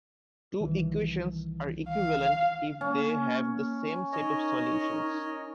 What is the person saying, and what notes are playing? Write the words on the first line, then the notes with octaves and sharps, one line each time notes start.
Two equations are equivalent if they have the same set of solutions.
C2 D#3 E3
F5
A#3 C#4
D#4 A#4 C#5 D#5